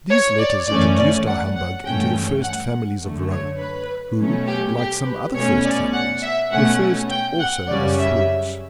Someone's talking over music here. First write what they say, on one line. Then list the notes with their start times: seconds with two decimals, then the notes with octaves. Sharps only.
These letters introduced our humbug into the first families of Rome; who, like some other first families, were first also as fools.
0.10 C#5
0.38 D5
0.68 F#2 E3 A3 C#4 D5
0.98 D5
1.26 F#5
1.56 F#5
1.84 G2 E3 A3 C#4 G5
2.43 F#5
3.01 F#2 D3 A3
3.31 C#5
3.59 B4
4.18 B2 F#3 A3 C#4
4.47 G4
4.77 G4
5.06 B4
5.35 B2 A3 C#4 C#5
5.64 D5
5.93 F#5
6.22 E5
6.51 B2 A3 C#4 F#5
7.10 G5
7.39 F#5
7.68 F#2 C#3 G3 C#4 D5
7.98 E5